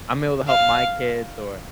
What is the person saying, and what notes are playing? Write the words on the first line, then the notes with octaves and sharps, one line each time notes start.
I'm able to help my kids or,
F5